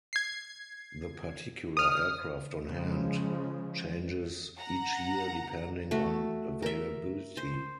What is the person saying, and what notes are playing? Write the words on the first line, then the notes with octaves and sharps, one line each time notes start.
The particular aircraft on hand changes each year depending on availability.
G#6 C7
D#6 F6
C#3 F3 G#3
F#5 A#5
A3 F#4
A#4 E5
C5